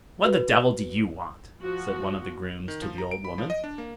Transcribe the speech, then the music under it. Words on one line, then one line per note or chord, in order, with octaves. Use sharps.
'What the devil do you want?' said one of the grooms to the old woman.
F#4 B4
F3 F#4
D#3
F3
A#5
D7
B5
F3
D#5
D4
A#3